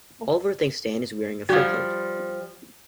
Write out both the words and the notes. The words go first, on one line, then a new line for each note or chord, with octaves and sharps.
Oliver thinks Stan is wearing a fur coat.
F3 G3 F#4 G#6